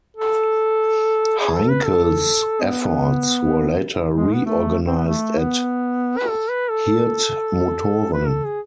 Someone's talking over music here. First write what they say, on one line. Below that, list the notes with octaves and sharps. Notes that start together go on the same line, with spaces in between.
Heinkel's efforts were later re-organized at Hirth Motoren.
A4
G#4
A4
B4
A4
B3
G#3
B3
A3
C4
B3
A3
B3
B4
A4
B4
A4
B4
A4
G#4